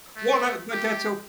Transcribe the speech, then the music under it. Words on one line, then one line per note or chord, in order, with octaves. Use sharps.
Well, that but that's o
A3
G4